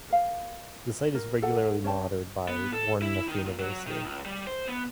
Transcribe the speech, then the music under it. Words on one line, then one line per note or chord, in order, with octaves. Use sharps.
The site is regularly monitored by Bournemouth University.
A#4 F5
A#4
A4 F#5
C#4 C#5 G5 A5
B3
A4
E4
D#3
A#2
F#3
D#3
C#2
G3
C5
B3